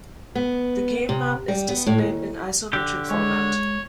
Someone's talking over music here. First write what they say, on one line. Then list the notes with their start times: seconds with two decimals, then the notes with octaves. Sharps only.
The game map is displayed in isometric format.
0.35 B3
1.09 C3
1.48 G3
1.68 B3
1.86 A2
1.98 D#2
2.73 D3 G4
3.11 G#3 C#5